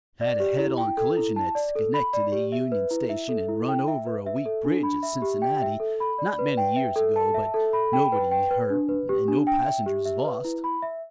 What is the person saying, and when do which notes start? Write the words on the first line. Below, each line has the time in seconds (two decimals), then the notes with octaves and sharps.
Had a head-on collision at Schenectady union station and run over a weak bridge at Cincinnati, not many years ago, but nobody hurt, and no passengers lost.
0.21 D5
0.40 G4
0.58 E4
0.78 G5
0.97 A4
1.17 E4
1.36 A5
1.55 D5
1.75 A4
1.94 B5
2.13 D5
2.32 G4
2.52 E5
2.72 B4
2.91 E4
3.09 E5
3.29 A4
3.48 E4
3.68 G5
3.88 E5
4.06 B4
4.26 E5
4.45 A4
4.65 D4
4.83 B5
5.03 E5
5.22 G4
5.42 G5
5.62 E5
5.80 A4
6.00 B5
6.18 D5
6.39 B4
6.57 G5
6.76 E5
6.96 A4
7.16 A5
7.34 E5
7.54 A4
7.73 B5
7.93 G5
8.12 B4
8.31 G5
8.51 B4
8.70 D4
8.89 B4
9.09 G4
9.28 D4
9.47 G5
9.66 E5
9.86 G4
10.05 E5
10.25 B4
10.44 E4
10.64 B5
10.83 E5